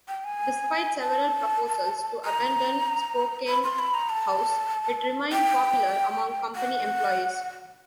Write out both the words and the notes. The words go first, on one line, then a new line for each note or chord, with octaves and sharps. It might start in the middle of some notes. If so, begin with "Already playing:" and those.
Despite several proposals to abandon Spokane House, it remained popular among company employees.
G5
G#5
A5
A#5
B5
C6
B5
A#5
A5
G5
F#5